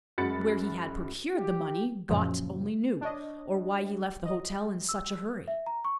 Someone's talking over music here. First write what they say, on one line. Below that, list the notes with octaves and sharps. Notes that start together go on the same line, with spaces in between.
Where he had procured the money "Gott" only knew, or why he left the hotel in such a hurry.
F#2 G#3 F#4 B5 A6 C#7
G4
F#2 A#2 C#3 F3 F#3
D4 C#5 D#5
D#5
E6
E5
A#5
C#6